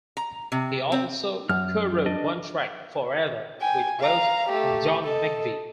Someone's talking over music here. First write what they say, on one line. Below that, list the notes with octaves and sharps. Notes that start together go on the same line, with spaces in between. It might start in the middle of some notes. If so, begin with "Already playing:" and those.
He also co-wrote one track, "Forever", with Welch and John McVie.
A#5
C3
C4
F#2 F6
D4 D#5
G5 G#5
F5 A#5
A3 G4
A4 D#5